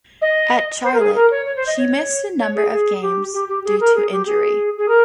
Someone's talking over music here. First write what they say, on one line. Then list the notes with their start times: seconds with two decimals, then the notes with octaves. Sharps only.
At Charlotte, she missed a number of games due to injury.
0.21 D#5
0.84 C5
0.94 A#4
0.99 G#4
1.15 A#4
1.31 C#5
1.46 C#5
1.56 C5
1.67 D#5
1.78 C#5
2.39 C#5
2.55 G#4
2.71 G#4
3.01 G4
3.34 G4
3.48 G4
3.64 G#4
3.80 A#4
3.95 G#4
4.11 G4
4.26 G#4
4.78 G#4
4.88 A#4